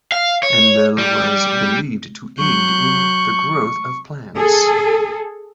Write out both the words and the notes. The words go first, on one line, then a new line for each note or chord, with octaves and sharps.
Enlil was believed to aid in the growth of plants.
F5
C#5
G3
F#3 C#6 F#6 G6
G#4 A4